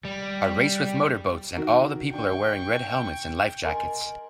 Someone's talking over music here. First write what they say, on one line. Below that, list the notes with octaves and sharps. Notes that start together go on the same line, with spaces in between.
A race with motor boats and all the people are wearing red helmets and life jackets.
G3
D#3 F#4 A#4
D4 G5 C#6
A#4 D#5 G#5 C6